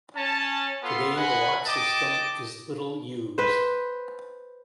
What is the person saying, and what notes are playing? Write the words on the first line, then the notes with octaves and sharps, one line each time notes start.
Today, the lock system is little used.
C#4 A5
B3 F4 A4 C6
B4 D#5 F#5 G#5 B5
D#5 G5 A5 D6
B4 C5